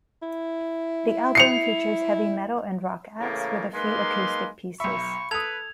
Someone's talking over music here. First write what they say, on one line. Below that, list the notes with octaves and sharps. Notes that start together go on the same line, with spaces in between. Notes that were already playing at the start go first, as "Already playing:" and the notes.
The album features heavy metal and rock acts with a few acoustic pieces.
E4
C7 C#7 F7
A2 C#3 E3 A#3
G#3 A#3 D#4 B4 F5 C6
B1 E5 B5 C#6
A4 B4 D#6 G#6 F7